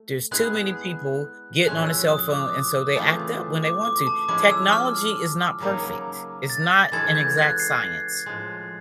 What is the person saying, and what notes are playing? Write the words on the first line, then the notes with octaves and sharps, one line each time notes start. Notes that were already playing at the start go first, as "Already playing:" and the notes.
There's too many people getting on a cell phone, and so, they act up when they want to. Technology is not perfect. It's not an exact science.
Already playing: A3
G#3 B3 E4 G#4 F#6
A2 F3 G#3 C#4 F#6
E6
D#6
D6
C#3 E3 A3 C4 F4
D6
D6
A5
F3 G#3 C#4 E4 D6
E6
F6
F6
C#3 F#3 A#3 D#4
A6
A6
E3 G#3 C#4 F#4 A4 G#6
G6
F#6
C7
A2 F3 G#3